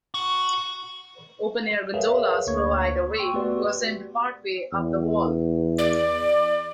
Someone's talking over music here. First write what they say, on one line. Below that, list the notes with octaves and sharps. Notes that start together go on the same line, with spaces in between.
Open Air Gondolas provide a way to ascend partway up the wall.
F#4
G#4 A#4 B4 C#5 E5 F5
D2 A#3 C#5 C#6 G#6
G5 C6 C#6 E6
A3 B3 F#4 G4 B4 D5
E2
D5